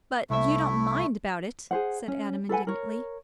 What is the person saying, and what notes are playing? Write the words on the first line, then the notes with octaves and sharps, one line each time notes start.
"But you don't mind about it," said Adam indignantly.
C2 A3 E4 E5
G#4 C5 F#5
C#4
A4 B4 F#5 G#5
A#4 C#5